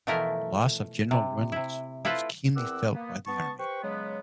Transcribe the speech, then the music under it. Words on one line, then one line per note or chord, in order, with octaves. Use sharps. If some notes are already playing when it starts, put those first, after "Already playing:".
The loss of General Reynolds was keenly felt by the army.
B2 E3 F3 A3 E4 A#4
C3
C3 E4
E4 F4 A4 B4 C5
E2 C4 A#4 F#5 D6 E6
A#3 B3
B3 A5 C#6
G4 B4 C5 C#6
C#3 F#3 G#3 B3